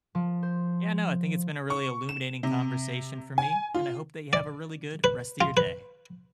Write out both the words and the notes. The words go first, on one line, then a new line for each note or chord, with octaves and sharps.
Yeah, no, I think it's been a really illuminating conversation for me, and I hope that you have a really good rest of your day.
F3
C5
C#6
E7
C3
G#5
F4
D5
B4
F4
B4